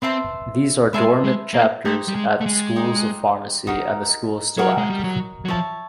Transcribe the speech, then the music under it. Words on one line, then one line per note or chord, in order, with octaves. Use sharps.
These are dormant chapters at schools of pharmacy, and the school is still active.
C4 B4 E5 A5 C6
G#3 B4 E5 A5 C6
G#3
A#3
A3 D#4 G4 C5
G3
G#3
A3
G#3
D#4 G4 C5
D#4 F#4 A#4
F#3 D#4 F#4 A#4
G#3
G3
F#3
F#3
F3 C#5 E5 A5